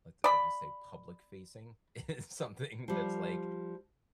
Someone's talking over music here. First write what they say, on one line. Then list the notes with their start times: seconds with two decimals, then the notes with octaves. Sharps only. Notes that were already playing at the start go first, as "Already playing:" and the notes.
let's I'll just say public facing. It's something that's like
0.24 D5 B5
2.88 F3 G3